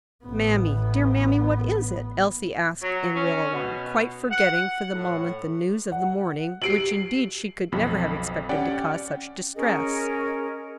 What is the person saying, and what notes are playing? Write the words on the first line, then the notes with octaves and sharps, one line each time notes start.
"Mammy, dear mammy, what is it?" Elsie asked in real alarm, quite forgetting for the moment the news of the morning, which indeed she could never have expected to cause such distress.
A1 B3
F#3
C#4
B2
F#5
A2
F#5
F#4 G4 C7 D7 F#7
B1 F2 B5
C#4 G4 D5 F#5 G5
C#4 G#4 A#4 D#5